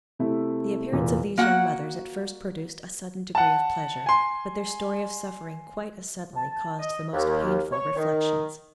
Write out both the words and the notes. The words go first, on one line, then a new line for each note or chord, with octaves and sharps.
The appearance of these young mothers at first produced a sudden degree of pleasure, but their story of suffering quite as suddenly caused the most painful reflections.
C3 A3 E4
F1 E2 A#2
A#3 F#4 F#5
F#5 A5
G#5 C6
A5
D#5
D#2
C#5
D#3